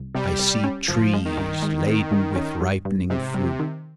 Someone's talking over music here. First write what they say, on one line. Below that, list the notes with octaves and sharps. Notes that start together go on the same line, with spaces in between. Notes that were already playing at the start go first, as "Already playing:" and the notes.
I see trees laden with ripening fruit.
Already playing: C2
C3 G3
C2
C#4
G1 F3
G#3
D#3
G2
G#3
C4
G2
C#4
G2
G2
G#2 C3
G3
D#3